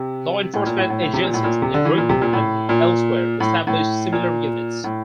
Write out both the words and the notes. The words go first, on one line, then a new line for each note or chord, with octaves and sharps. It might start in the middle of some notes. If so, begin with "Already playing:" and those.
Law enforcement agencies, in Britain and elsewhere, established similar units.
Already playing: C3
A2
A#2
A2
A2
A2
C3
A#2
A2
A#2
C3
D3
E3
A#2
C3
A#2
A2
A#2
A2
A2
A#2
A2